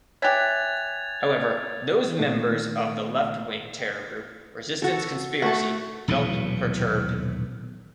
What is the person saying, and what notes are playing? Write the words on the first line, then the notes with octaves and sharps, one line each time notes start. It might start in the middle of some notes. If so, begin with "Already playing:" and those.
However, those members of the left wing terror group, Resistance Conspiracy felt perturbed.
G4 C#5 E5 G#5 F#6 G#6 A6 F7
A#2 D#3 A3
F#4 A4
A3 F#4 A4
D#1 B1 A2 E3